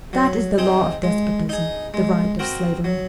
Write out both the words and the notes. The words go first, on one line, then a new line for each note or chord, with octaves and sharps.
That is the law of despotism; the right of slavery.
F#3
C4 D#4 G#4
G#3
D#4 G#4
G#3
C4 F#4 A#4
F#3